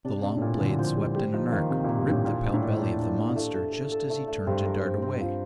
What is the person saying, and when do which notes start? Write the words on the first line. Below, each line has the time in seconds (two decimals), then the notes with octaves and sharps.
The long blade swept in an arc, ripped the pale belly of the monster just as he turned to dart away.
0.05 C3 D4
0.22 C3 D4
0.37 A2
0.41 A#2 D4
0.60 D3 D4
0.78 F3 C5
0.96 G3 C5
1.15 G3 G4
1.34 F3 D#4
1.52 D#3 A#3
1.70 C3 G4
1.84 A#2
1.89 A#3
1.98 G2
2.07 A2 G4
2.25 A#2 D4
2.44 D4
2.54 A2
2.62 D4
2.81 D4
2.99 D4
3.18 D4
3.36 A3
3.55 A4
3.72 A4
3.91 A4
4.10 A3
4.28 A3
4.47 G2 C4
4.65 A#4
4.84 C4
5.02 C4
5.21 F3